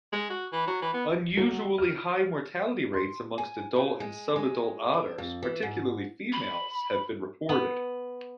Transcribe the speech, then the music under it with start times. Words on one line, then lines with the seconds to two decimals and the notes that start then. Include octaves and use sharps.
Unusually high mortality rates amongst adult and subadult otters, particularly females, have been reported.
0.13 G#3
0.30 F#4
0.53 E3
0.68 F#3
0.82 E3
0.94 B3
1.37 F#3
1.78 F6
2.93 C6
3.38 G#5
3.76 A#2
4.00 G#3
4.36 G#3
4.94 D4
5.18 F2
5.43 E3
5.62 G#2
6.32 B5
7.49 B3